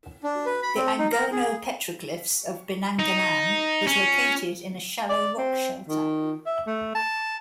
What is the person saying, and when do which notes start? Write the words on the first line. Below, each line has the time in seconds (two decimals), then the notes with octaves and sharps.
The Angono Petroglyphs of Binangonan is located in a shallow rock shelter.
0.24 D4
0.46 B4
0.63 B5
0.76 C4
0.99 D#4
1.12 A#4
1.32 G#4
2.99 D#4
3.87 C#4
5.09 D5
5.38 C4
5.89 D#3
6.46 E5
6.67 A3
6.95 A5